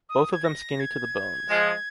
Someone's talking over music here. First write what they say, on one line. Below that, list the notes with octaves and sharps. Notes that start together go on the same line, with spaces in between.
Both of them skinny to the bones.
D#6
G#6
A#6
G#6
F3 G#3